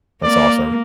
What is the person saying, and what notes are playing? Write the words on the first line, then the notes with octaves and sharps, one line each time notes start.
that's awesome.
A#3 D5